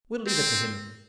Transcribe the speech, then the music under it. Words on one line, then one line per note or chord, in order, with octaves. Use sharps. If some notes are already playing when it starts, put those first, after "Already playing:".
We'll leave it to him.
C4